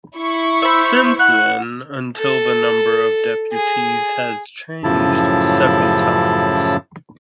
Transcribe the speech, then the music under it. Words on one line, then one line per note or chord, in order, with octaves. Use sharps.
Since then until the number of deputies has changed several times.
E4 C#6
C5 E5 B5
F#5 F#6
A4
G#4
F#2 A2 C#3 F3 E4 A5